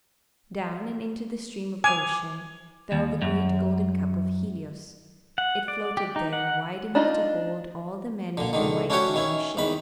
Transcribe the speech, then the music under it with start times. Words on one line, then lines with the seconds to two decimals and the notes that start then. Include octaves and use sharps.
Down, and into the Stream of Ocean fell the great golden cup of Helios. It floated there wide enough to hold all the men who might be in a ship.
1.84 G#5 D6 F7
2.92 D#2
3.22 F#2
5.38 F#5
5.68 D5
5.97 G4
6.16 D#4
6.33 F#5
6.95 D4 D#4 F4 D#5
8.37 A#2 D3
8.53 C#2 D3 D#3
8.90 C#4 D4 E4 F#4 G4 C#5
9.14 D#3 C#4 E4
9.57 E2 D#3 B5